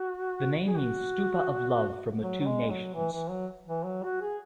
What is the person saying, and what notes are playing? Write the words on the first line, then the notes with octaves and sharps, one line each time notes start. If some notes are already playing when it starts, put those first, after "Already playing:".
The name means "Stupa of Love from the Two Nations".
Already playing: F#4
G#4
F#4
F#3
F#3
G#3
F#3
E3
E3
F#3
E3
F#3
F#4
G#4